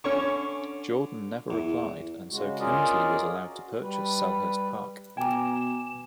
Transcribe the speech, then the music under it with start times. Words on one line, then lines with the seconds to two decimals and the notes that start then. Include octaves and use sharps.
Jordan never replied and so Kemsley was allowed to purchase Selhurst Park.
0.04 D3 C#4 C#5 C#6
1.50 E2
2.31 C#3 G#3 F#4
2.59 C#4 F4 G#4 A#4 D5 D#5
3.46 F#4
3.81 G3 B4
5.17 B2 G5 G#5 A#5 D6 E7